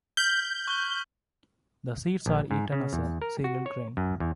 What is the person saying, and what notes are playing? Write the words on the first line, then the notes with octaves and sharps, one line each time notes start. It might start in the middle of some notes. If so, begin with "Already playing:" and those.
The seeds are eaten as a cereal grain.
F6 G6 B6 F#7
C#6 F#6 G7
A#1
G#2
C#3
E2
A#4
F#4
C#5
F#2
E2